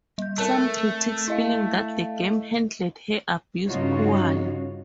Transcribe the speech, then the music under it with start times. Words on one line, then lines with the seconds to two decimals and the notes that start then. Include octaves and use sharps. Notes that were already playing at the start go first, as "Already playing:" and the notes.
Some critics feeling that the game handled her abuse poorly.
0.18 G3 G6
0.38 A3 C4 A#4 A5
1.28 E4 D#5 F5
3.67 G2 C#3 D#4 F4 F#4 C#5